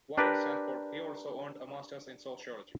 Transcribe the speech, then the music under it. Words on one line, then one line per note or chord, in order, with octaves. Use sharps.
While at Stanford he also earned a Masters in Sociology.
D4 G4 A#4 B4 D5